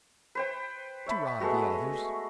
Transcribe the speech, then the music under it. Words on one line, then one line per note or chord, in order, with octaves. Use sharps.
"To rob the others."
B4 C5 G5
C#5 E5 A5 B5
G#3 A3 B3 F#4